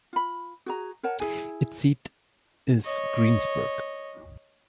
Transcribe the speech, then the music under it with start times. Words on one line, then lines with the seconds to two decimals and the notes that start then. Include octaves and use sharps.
Its seat is Greensburg.
0.13 F4 B5
0.66 F#4 G#4 A#5
1.03 A#4 C#5 F#5 A5
1.20 E4 G#4 G#5
2.85 C#5 D#5